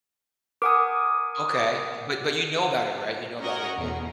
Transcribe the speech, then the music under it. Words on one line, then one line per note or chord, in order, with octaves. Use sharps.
Okay. But but you know about it, right? You know about Wicked.
A#4 F#5 G#5 D6 D#6
C#4 F#4 A#4 C#5 D#5 F#5
E2 B2